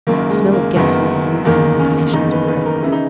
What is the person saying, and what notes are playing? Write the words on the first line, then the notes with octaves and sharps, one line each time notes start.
Smell of gas in the room and in patient's breath.
F#1 F#2 D#3 A#3
G#3
A#3
F#1 F#2 D#3 B3
F#1 E2 D#3 A#3
C#4
F#1 E2 D#3 D#4
B4
B4
A#4
C#3 E3 E4
D#4